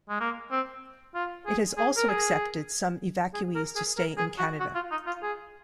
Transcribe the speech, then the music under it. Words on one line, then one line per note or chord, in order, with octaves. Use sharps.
It has also accepted some evacuees to stay in Canada.
G#3
A#3
C4
F4
G#4
G#4
A#4
G#4
G#4
A#4
G#4
A#4
G#4
F#4
F#4
F4
D#4
F4
G#4